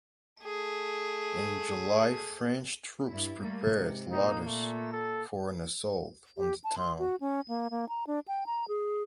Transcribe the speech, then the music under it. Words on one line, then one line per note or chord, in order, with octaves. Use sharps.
In July French troops prepared ladders for an assault on the town.
A3 G#4
G2 E4
G3 A3 A#3
G#2 C3
A#2 A#3 D#4
A3
A4
G4
A5
C6
F#4
C#4
A#3
A#3
A#5
D4
G5
A#5
G#4